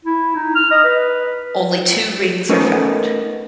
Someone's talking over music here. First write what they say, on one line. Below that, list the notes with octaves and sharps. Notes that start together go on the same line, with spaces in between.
Only two rings are found.
E4
D#4
F6
D#5
B4
A3 B3 C#4 D#4 A4 A#4